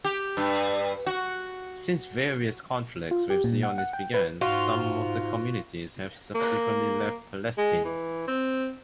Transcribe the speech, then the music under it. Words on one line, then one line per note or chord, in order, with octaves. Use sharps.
Since various conflicts with Zionists began, some of the communities have subsequently left Palestine.
G4
G2
F#4
F4
G4
A#2
F#5
F#5
G5
B4
G#2 F4 F#4
A#3
G#3
E3
C4